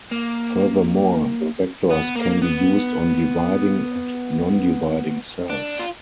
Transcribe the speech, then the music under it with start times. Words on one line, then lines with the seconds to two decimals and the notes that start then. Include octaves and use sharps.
Furthermore, the vectors can be used on dividing and non-dividing cells.
0.12 A#3
1.91 B3
2.16 A#3
2.42 B3
5.50 D4
5.79 F4